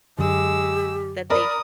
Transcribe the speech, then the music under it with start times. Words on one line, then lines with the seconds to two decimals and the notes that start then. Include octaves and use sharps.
that they
0.19 F#2 D3 G#3 G4 E6
1.30 A#4 D5 B5 D#6